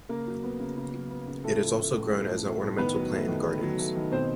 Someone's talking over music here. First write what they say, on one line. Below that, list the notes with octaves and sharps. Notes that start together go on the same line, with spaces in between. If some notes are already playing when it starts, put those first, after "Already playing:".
It is also grown as an ornamental plant in gardens.
C#3 A#3 A#4
F#3
B3
C#3
C#3
F#3
B3
C#3
A2 A3 A4
F3
A3
A2
A2
F3
A3
A2
D#3 B3 B4
F#3
A3
D#3
D#3
F#3
A3
D#3
B2 C4 C5